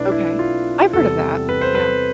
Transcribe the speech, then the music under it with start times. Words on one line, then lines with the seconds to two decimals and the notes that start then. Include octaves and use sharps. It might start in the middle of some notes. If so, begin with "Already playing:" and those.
Okay. I've heard of that. Yeah.
Already playing: B1 B2 A3 D4 E4 B4
0.12 E4
0.39 F4
0.93 E2 C3 G3 A4
1.49 B4
1.61 C5
1.75 B4